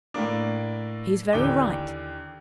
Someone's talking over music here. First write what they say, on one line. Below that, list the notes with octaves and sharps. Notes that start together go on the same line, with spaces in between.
He's very right.
A2 A3 A#3 D4
D#2 D3 E3 G5 D6 G7